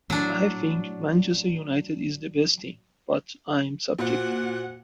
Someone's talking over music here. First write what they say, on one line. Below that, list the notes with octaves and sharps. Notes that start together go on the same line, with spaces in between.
I think Manchester United is the best team, but I'm subjective.
A2 F#3 D4
A#2 F#4 C5 F#5